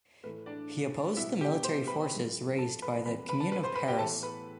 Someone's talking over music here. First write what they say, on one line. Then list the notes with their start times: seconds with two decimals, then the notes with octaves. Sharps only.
He opposed the military forces raised by the Comune of Paris.
0.23 A2 E3 A3 B4
0.46 D4 D5
1.17 B2 G3 B3 E4 E5
1.41 G4 G5
1.64 C5 C6
1.87 B4 B5
2.12 G2 F3 A3
2.58 A4 A5
2.82 B4 B5
3.05 E2 C3 G3 B4 B5
3.29 B4 B5
3.40 A5
3.52 B4 B5
3.63 C5 C6
3.75 B4 B5
3.88 G4 G5
3.99 A2 E3 B3 A4 A5
4.23 B4 B5